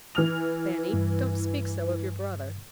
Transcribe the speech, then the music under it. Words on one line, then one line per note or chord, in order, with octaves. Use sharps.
'Fanny, don't speak so of your brother.
E3 F6 F7
G2